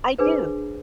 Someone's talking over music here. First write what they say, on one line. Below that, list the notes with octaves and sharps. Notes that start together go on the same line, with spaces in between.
I do.
D4 G#4 B4 C5